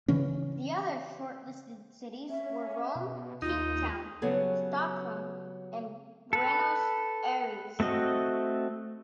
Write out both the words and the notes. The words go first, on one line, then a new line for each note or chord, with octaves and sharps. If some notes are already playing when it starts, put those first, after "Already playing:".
The other shortlisted cities were Rome, Cape Town, Stockholm and Buenos Aires.
C#3 E3 C#4
C#4 E5
B2
D#2 D#4 F4
C#3 F#3 G3 B3 G#4 A4
A4 B4
A3 C4 F#4 D#5